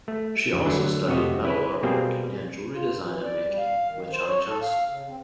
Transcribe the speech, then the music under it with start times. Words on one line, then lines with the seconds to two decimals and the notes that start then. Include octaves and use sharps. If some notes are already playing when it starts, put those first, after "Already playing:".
She also studied metal artwork and jewellery design and making with Johnny Johnstone.
0.08 A3
0.53 F2
0.65 D3 F#3 A3
1.07 F2 C3 A3 F#4 D#5
1.45 E4 B4
1.83 B2 G3 A#3 C4 G#4
2.72 F4
3.01 E3
3.23 D5
3.44 G3
3.58 F5
3.89 D#3
4.11 C5
4.27 C#5
4.46 A4
4.62 F5
4.89 C#3
5.08 C4